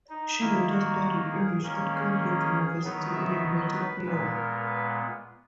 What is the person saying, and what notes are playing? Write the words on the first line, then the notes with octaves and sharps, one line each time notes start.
She later studied English at Cambridge University in the United Kingdom.
D#4
D#3 A#3 D#4 E4
F#4
G#4
D#3 A#3 C#4
G#4
D#3 F#3 B3 D#4
E5
B4
A#2 G#3 B3 B4
A#4
B4